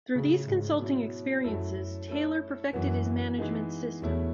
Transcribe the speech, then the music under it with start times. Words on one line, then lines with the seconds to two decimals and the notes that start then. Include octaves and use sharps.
Through these consulting experiences, Taylor perfected his management system.
0.15 A2 C#3 F#3 C#4
0.48 G#2
0.79 B2 F#3 C#4 E4
1.44 F#2 F#3 A3 E4 A4
2.09 A3 C#4 E4 A4
2.73 F#2 E3 B3 F#4 B4
3.38 E3 G#3 B3 D#4 G#4
4.02 E2 B2 A3 C#4 E4